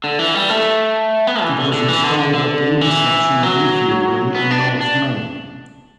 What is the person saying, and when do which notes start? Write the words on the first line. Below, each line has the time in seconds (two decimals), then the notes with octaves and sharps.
It was installed at the intersection of Lithia Way and North Main.
0.04 D3
0.19 E3
0.35 G3
0.50 A3
1.27 B3
1.42 E3
1.58 D3
1.73 D3
1.88 E3
2.04 D3
2.19 D3
2.34 D3
2.81 E3
3.43 F#3
4.35 B3
4.51 D4
4.81 D4